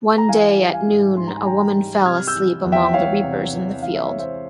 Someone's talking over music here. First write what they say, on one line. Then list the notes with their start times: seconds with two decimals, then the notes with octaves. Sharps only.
One day at noon a woman fell asleep among the reapers in the field.
0.18 A#5
0.28 E3 F5 G#5
0.58 G3
0.73 F5 G#5
0.87 G#2
1.17 G#2 C6
1.27 A#5
1.36 G#5
1.46 E3 G5 A#5
1.76 G3
2.05 C3 F6 G#6
2.27 E6 G6
2.35 E3
2.64 E2
2.72 E5 G5
2.94 E2 C#5 F5
3.24 C3
3.53 E3
3.82 E3 F5
3.95 E5
4.07 G#3 C#5
4.19 C5 E5